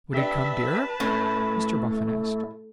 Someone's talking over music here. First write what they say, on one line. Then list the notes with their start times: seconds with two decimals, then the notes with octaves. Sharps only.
'Would it come dearer?' Mr Boffin asked.
0.14 D4 G4 B4 E5 A5
1.00 A2 A3 C#4